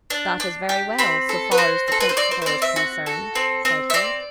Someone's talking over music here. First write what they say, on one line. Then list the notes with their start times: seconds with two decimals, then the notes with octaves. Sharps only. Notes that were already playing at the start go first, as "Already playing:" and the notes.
"That is very well, so far as the principal is concerned," said he.
0.10 D4
0.40 D4
0.69 G4
0.99 C4 B5
1.29 A4
1.51 B4
1.58 F#4 C5
1.88 C4 A4
2.00 B4
2.09 C5
2.17 C4 D5
2.31 C5
2.42 C5
2.46 C4 D5
2.62 E5
2.76 F#4
3.06 A4
3.35 C4
3.65 C4
3.90 E5
3.94 C4 D5